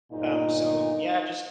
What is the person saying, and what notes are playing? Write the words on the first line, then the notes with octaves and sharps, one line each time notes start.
Um, so, yeah, just
G1 A#2 D#4